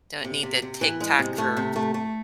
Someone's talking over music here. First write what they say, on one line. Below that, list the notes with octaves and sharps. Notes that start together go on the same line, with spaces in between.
don't need the TikTok for
C3
C3
C3
E3
G#3
C3
A3
C3
A3
A3